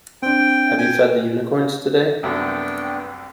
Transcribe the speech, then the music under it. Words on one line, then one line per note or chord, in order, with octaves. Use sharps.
Have you fed the unicorns today?
C4 D4 G5
G5 G#5
C2 F#2 A3 B3 D4 G5